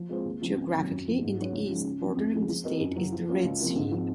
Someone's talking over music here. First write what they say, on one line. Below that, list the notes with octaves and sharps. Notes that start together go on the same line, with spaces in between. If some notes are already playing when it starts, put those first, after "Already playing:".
Geographically, in the east, bordering the state, is the Red Sea.
Already playing: F3
G#3 C4 F4 C5
D#2
C#3 F3 C4
C#2
C3 D#3 F#3 C#4
F#2
C#3 F3
G#2
F#3 C#4 F#4 C#5
C#2
C#3 F3 G#3 D#4
C#3
F3 C4
F2
C#3 F3 G#3
F3
C4 F#4 A#4 D#5
F#2
C#3 F#3
F3
A#3 C#4 F4
C#2
C3 F3 A#3 F4
G#2
F3 C4